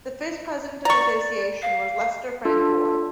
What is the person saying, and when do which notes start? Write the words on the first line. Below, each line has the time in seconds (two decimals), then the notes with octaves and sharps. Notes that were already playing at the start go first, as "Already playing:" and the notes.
The first president of the association was Lester Frank Ward.
0.85 D5 A#5 C#6
1.62 F5
2.45 D4 F4 A4